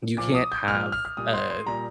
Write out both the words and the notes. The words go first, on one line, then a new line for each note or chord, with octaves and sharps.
You can't have a
A#2 F3 D6
D#6
G6
A#2 F3 F6
F6
F6
A#2 G3 D#6
C6
C6
A#2 G3 A#5